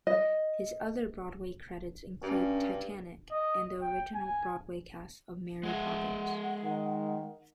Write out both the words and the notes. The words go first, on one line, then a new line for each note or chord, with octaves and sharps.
His other Broadway credits include "Titanic" and the original Broadway cast of "Mary Poppins".
D#5
G2 C#4
D#5
G5
G#5
G#3 G#4 E5 F#5
D#3